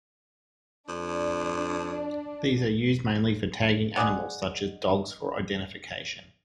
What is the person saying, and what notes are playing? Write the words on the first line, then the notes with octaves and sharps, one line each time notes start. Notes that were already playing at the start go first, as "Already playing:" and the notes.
These are used mainly for tagging animals, such as dogs for identification.
F2 D4
G#3 G#4 D5 F#5